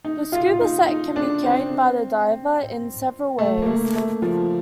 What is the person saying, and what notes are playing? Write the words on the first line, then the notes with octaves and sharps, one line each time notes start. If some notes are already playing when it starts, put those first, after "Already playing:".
The scuba set can be carried by the diver in several ways.
D#4
F4
F4
D#4
D#4
D4
C4
A3
A#3
A3
A3
F3